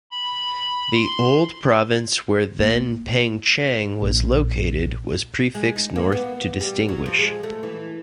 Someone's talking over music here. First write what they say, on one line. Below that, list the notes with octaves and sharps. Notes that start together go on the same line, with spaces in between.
The old province where then Pengcheng was located was prefixed "North" to distinguish.
B5
C6
A#3
A#1
G#3
D#4
A#3
B3
G3
F#3
F3
G#3
A3
E3